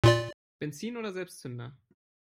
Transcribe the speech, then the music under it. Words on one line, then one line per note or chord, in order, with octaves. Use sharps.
Benzin oder Selbstzünder?
A#2 F4 D5